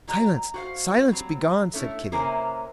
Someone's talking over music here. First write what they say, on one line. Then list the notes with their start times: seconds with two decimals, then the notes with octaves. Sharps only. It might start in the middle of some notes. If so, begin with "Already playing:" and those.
"Silence, silence, begone!" said Kitty.
0.08 B2 F#3 A#5
0.54 F#4 C5 F5
1.11 F#3 G3 C4
1.74 A3 C#4 E4
2.12 C3 A#3 C#4 E4 A#4 C5